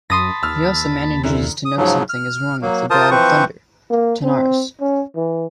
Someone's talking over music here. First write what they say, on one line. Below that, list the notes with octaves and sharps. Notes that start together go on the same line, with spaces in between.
He also manages to note something is wrong with the God of Thunder, Tanarus.
F#2 A5 B5 C6 D#6 A#6
D#2 E6 F6
F#2 D3 E4
D#6
G#2 C#3 F3 F#3
F6
F#3 A#3
F4 A#4 C5 A5 D#6
E3 F3 C4 B4 C5 C#6
A#3
C4
C#4
E3